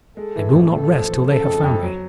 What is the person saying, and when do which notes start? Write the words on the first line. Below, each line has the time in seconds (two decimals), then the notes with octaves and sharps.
They will not rest till they have found me.
0.17 G#3 A4
0.36 E3
0.54 A1
0.72 A2 A4
0.91 F3
1.08 F3
1.27 C#3 A4
1.45 F2
1.64 F2
1.83 F#3